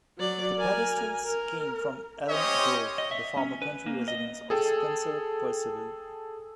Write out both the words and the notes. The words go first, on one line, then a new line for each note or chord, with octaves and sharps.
The pedestals came from Elm Grove, the former country residence of Spencer Perceval.
F#3 D5
A#4 G#5
A#4
C#4 G4 C5 C#5 D#5
D#5
E5
C#4
B4
A#3
D#5
G#4 A4 G5